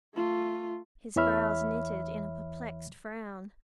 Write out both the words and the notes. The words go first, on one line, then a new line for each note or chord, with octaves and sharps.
His brows knitted in a perplexed frown.
A3 F4
E2 E3 C#5 E5 B5 F6